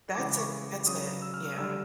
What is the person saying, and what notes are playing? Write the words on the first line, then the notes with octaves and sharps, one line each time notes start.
that's it, that's it, yeah.
C#3 E3 G#3 D6
D6
C#6
C#3 F#3 D#6
E6
F6
F6
D3 G3 E6